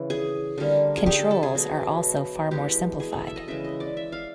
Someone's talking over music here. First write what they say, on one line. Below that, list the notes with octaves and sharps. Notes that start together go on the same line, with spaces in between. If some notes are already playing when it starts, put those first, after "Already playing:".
Controls are also far more simplified.
Already playing: C#3 E3
G#4
D3 G3 A#3
G#4
G4
A4
A4
G#4
B2 F#3 A3
E3 G#3 B3 G4
G#4
A4
E5
D#5
C#3 E3 G#3 E5
D#5
D5
E5
F5